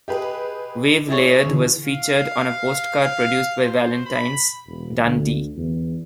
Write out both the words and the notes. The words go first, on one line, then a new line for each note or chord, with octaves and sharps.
"Wave Laird" was featured on a postcard produced by Valentine's, Dundee.
G4 G#4 B4 D#5
E4 G#4 C#5
D3 E3
F5
C5
B5
E1
D2
E2